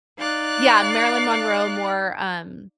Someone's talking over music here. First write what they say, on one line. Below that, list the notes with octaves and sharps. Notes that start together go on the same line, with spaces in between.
yeah, Marilyn Monroe more, um,
D#4 D5 F5 F#6